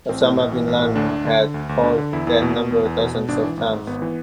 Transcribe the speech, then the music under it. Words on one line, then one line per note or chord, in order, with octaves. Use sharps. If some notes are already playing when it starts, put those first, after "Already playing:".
Osama bin Laden had called that number dozens of times.
A1 C4
A2
A1
E3
A1
A2
D2 D4
D2
D3
D3
D2
D2
D3
D3
E2 E4
E2
B2
B2
E2
E2
B2
B2
G#1 D4
E3
G#1
G#2
G#1 B3
E3